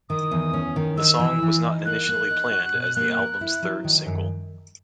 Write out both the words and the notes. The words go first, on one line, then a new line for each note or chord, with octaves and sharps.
The song was not initially planned as the album's third single.
D#3 D#6
E2
C#4
D#3
D#4 E6
E3
E3
D#4
A#3 F#6
A#3
D#4
F#4
B2
A#3
A#4
E4
F#3
D#3
F#2